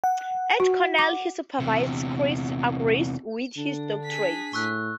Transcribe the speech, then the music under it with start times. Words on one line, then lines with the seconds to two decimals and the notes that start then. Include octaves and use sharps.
At Cornell he supervised Chris Argyris with his doctorate.
0.04 F#5
0.60 F#4
0.99 D6
1.60 E2 C3
3.57 D3 D4
4.05 G#4 B6
4.53 A2 C#6 E6 F#6